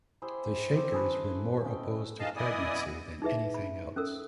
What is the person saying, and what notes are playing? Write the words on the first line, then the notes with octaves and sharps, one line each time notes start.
The Shakers were more opposed to pregnancy than anything else.
E4 G4 G#4 C5
C4 G4 C5
E4 G#4 A4 B4
C#4 D#5 G5 A5
G#2 E3 D#5 F5 A5
B3 E4 D5 D#5 G#5 D#6
D#4 E4 G#4 B4 E5
B5
C#4 A4 A#4 E6